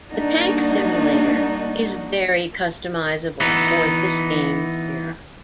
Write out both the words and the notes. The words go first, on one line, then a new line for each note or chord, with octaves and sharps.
The tank simulator is very customizable for this game's era.
G3 A#3 D4 D#4 F#4
E3 B3 D#4